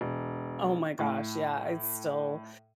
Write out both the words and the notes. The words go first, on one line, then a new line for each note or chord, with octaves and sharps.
Oh my gosh, yeah, it's still
E1
A2